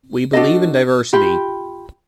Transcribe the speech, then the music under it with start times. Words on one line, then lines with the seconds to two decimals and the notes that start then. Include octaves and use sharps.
We believe in diversity.
0.33 D4 F#4 A4 D#5
1.13 F4 G4 G5 B5